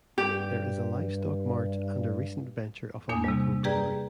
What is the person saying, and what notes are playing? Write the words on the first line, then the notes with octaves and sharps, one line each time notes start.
There is a livestock mart and a recent venture of a microbrewery.
G2 G4
E2 A#3 D4 G#5 D#6
C3 G3
G4 G#4 B4 D5 G5 A#5